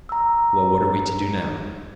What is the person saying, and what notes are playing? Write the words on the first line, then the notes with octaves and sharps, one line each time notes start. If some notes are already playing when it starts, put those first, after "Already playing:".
Well, what are we to do now?
A#5 E6